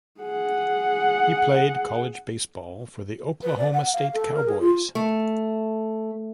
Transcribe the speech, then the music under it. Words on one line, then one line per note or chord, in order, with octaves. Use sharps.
He played college baseball for the Oklahoma State Cowboys.
G#4 F#5
B4
D5
F#5
F5
A4
A#4
G#4
F4
A3